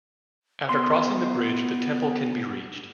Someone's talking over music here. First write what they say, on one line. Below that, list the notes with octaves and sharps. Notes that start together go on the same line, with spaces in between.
After crossing the bridge the temple can be reached.
B3 C6